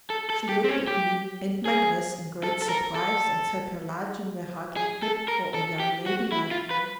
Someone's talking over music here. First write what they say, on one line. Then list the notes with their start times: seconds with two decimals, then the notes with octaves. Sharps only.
She looked at me and my dress in great surprise and said her lodgings were hardly fit for a young lady like me.
0.10 A4
0.30 A4
0.49 G4
0.64 C4
0.69 C#4
0.88 G4
1.66 G#4
2.44 A4
2.62 A4
2.69 A#4
2.95 A4
4.76 G#4
5.03 A4
5.28 A#4
5.54 A4
5.80 G4
6.06 F#4
6.32 E4
6.51 F4
6.71 B4